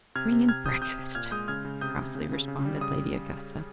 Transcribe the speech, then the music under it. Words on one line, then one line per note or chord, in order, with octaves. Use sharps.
"Bring in breakfast," crossly responded Lady Augusta.
C3 F6 G#6
C3
C3 F6 G#6
C3 D#6 G6
C3 D#6 G6
C3
A#2 F6 G#6
G#3 D#6 G6
C#3 F6 G#6
C#3
C3 D#6 G6
C3
C#3
C#3
C#3
G3
C#3 D#6